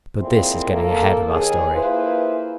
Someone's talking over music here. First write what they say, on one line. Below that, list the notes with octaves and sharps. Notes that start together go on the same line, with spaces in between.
But this is getting ahead of our story.
F2 A#2 C4 E4 F4 G#4
A#3 A4
D#2 G#4
A#3 E4 F4 G#4 B4 C5